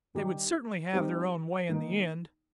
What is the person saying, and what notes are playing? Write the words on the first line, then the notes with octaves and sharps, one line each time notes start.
They would certainly have their own way in the end.
D#3 G3 D#4 G4
G3 C4 D#4 G4
D#3 A#3 D#4